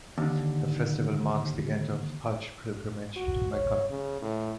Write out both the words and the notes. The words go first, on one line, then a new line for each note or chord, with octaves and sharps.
The festival marks the end of the Hajj pilgrimage to Mecca.
D#2 D3
F#4
C#5
C#3
A2